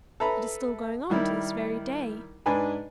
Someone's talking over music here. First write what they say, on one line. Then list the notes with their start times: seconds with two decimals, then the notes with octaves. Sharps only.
It is still going on to this very day.
0.20 A4 B4 E5 A#5 B5
1.10 D#3 G3 E4 A#4
2.46 G#2 D4 B4 G#5 B5